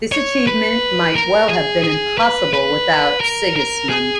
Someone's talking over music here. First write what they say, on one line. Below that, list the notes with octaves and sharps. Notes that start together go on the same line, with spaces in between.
This achievement might well have been impossible without Sigismund.
C#5
B4
A#4
G#4
G#4
B4
B4
A#4
A#4
G#4